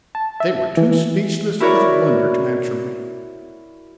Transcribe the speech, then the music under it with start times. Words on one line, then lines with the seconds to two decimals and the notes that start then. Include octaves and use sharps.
They were too speechless with wonder to answer me.
0.15 A5
0.40 E5
0.77 E3
1.60 E4 F#4 A#4 C#5 D5 B5